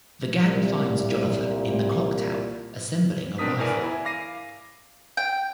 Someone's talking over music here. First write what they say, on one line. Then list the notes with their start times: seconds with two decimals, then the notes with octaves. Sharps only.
The gang finds Jonathan in the clock tower, assembling a rifle.
0.45 C2 A#2
3.38 C4 D4 A#4 D#6 B6
3.59 E2 E3 A#4 D5 G#5
3.83 E4 G#5
4.05 F5 D6 A#6 C7 D#7
5.17 G5